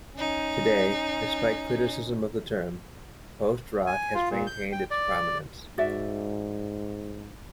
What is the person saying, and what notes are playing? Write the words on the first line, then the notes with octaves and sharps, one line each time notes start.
Today, despite criticism of the term, post-rock has maintained its prominence.
C#4 D#4
G#5
F4
A#2
G6
G5
D5
G#2 F#4 D5 E5